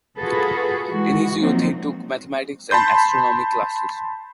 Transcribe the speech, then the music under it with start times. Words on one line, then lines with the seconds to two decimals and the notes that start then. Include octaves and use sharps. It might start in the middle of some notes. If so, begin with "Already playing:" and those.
In his youth, he took mathematics and astronomy classes.
0.17 F4 F#4 G#4 A4 B4
0.88 E3 G#3 F#4
1.40 F3 F#3 A#3 C4 D#4
2.71 A5 B5 C6 G6